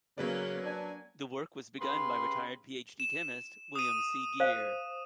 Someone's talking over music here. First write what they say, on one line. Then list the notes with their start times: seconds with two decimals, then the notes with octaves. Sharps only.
The work was begun by retired Ph.D chemist, William C. Geer.
0.18 C#3 F#3 A#3 C#4 B4 D5
0.65 D4 G#5
1.80 C#3 G4 B4 C6
3.00 E7
3.76 D#6 D#7
4.40 C5 F5